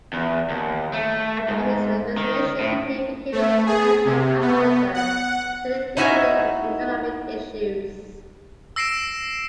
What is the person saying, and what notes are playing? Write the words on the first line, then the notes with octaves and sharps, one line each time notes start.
After his resignation he became a financial advisor to the government on economic issues.
E2
D#2
A3
G#2
D#3
A2
A3
G#4
C3
B3
F#5
D#4 E4 F#4 E5 G#5 A#5
E6 A#6 C7 D7 E7